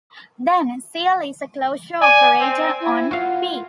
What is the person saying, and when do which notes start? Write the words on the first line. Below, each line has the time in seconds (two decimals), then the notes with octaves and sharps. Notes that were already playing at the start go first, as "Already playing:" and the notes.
Then cl is a closure operator on "P".
2.00 D5 G#5
2.39 C4
2.79 E4
3.11 F4 F#4 F5